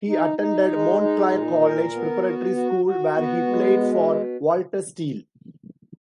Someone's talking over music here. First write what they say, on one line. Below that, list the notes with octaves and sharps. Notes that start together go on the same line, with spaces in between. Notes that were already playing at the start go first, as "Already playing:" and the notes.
He attended Montclair College Preparatory School where he played for Walter Steele.
D#4
D#4
G#3
D#4
A#2
A#4
B3
F#4
F#4
F#4
B3
G#3
B2